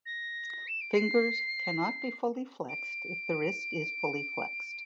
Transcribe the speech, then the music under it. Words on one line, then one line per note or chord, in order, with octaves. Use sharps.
Fingers cannot be fully flexed if the wrist is fully flexed.
A#6
E7
D7
C7
D7